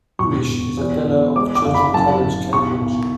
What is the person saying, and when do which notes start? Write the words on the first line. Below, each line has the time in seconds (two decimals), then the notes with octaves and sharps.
Hewish is a fellow of Churchill College, Cambridge.
0.19 E1 C#6
0.48 E1
0.77 E2
1.07 E2
1.36 G#3 D6
1.55 D6
1.65 F#1
1.74 B5
1.94 F#2 A5
2.23 F#1
2.53 B1 C#6
2.81 B1